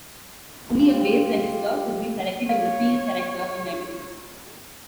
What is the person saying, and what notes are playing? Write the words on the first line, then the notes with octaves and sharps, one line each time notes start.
Only a base register could be selected in the field selector in memory.
F4 G4
C#5 F5